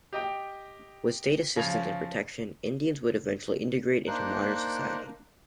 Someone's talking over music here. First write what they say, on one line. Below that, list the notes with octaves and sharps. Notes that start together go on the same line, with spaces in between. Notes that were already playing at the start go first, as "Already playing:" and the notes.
With state assistance and protection, Indians would eventually integrate into modern society.
G4 D#5 G5
C#3 F3 G#6 F7
A#3 D4 D#4 A#4 C5 F#6